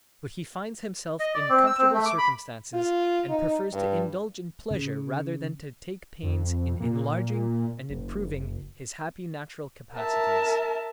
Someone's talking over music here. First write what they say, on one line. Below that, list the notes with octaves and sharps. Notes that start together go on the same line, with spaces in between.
But he finds himself in comfortable circumstances and prefers to indulge in pleasure rather than to take pains in enlarging and improving his happy natural capacities.
D#5
D5
C4
E6
C4
A3
D6
B5
F4
D#4
G2
C#3
F2
A#2
F#1
A#4 E5 A5